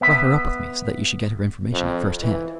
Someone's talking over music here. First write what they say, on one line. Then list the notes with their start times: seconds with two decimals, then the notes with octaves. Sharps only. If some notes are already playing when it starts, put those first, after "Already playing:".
I brought her up with me, so that you should get her information at first hand.
0.01 B3 E5 B5
1.72 F2
2.22 E3